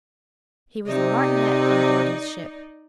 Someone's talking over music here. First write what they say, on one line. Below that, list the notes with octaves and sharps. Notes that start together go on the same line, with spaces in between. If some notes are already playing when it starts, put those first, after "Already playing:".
He was a Martinet on board his ship.
C3 D#4 D5 D#5